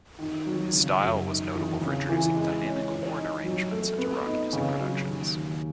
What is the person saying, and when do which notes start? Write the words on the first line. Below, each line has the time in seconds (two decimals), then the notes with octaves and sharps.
His style was notable for introducing dynamic horn arrangements into rock music productions.
0.19 D#3
0.46 F#3
0.73 C#3
1.00 F#2
1.27 D#3
1.54 E2
1.81 C#3
2.09 E3
2.36 G#3
2.62 C#4
2.90 E3
3.17 D#4
3.44 F#3
3.72 A3
3.98 B3
4.26 D#4
4.53 C#3
4.80 F#3
5.07 D#2
5.34 D#2